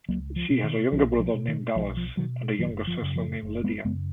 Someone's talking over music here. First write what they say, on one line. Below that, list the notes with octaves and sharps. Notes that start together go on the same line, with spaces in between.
She has a younger brother named Dallas and a younger sister named Lydia.
C#2 F#3 A#3
F3
B2
D#3
B1 F3
F3
B2
D#3
B1 F3
F3
B2 D#3 F#3
F#1 D#3 F#3
F3
F#2 C#3
F3
F#1
G#3 B3
F#2 C#3 G#3 B3